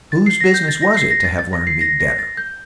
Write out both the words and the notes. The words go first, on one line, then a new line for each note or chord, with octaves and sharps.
Whose business was it to have learned me better?
A6
C7
A#6
G6
A6
A#6
C7
A#6
A6
A6
A#6
C7
A#6
A#6
A6
G6